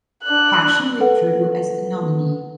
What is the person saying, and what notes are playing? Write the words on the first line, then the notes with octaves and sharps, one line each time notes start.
Paschen withdrew as the nominee.
D4 F#6
A4 B4 F#5